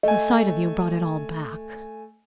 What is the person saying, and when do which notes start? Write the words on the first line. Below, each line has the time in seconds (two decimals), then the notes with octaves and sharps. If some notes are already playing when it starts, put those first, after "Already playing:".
The sight of you brought it all back.
0.03 A3 D#5 G#5